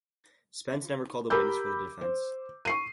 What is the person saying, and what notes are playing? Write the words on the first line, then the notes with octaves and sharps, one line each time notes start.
Spence never called a witness for the defense.
G4 A#4 B5 D6 E6 G6
C5
C#6 C7 D#7